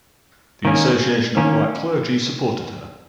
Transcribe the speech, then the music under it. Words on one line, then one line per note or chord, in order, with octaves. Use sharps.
The Association of Black Clergy supported her.
D#3 A#3 C#4
D#3 A#3 C#4